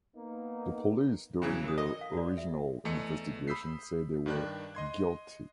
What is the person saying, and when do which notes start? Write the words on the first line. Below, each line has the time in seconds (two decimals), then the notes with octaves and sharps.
The police doing the original investigation say they were guilty.
0.17 A#3 B3 D#4
1.42 C#3 E3 F#3
1.65 A#4 D#6
1.78 A4 D#5
2.01 F5
2.13 F#4 D5
2.38 F4 E5
2.85 E2 A3 D#5 C#7
3.48 B5 D#6 E6 G6 B6 C7
4.26 G2 D#3 D4 G5 F#6
4.75 D#5 C6 G#6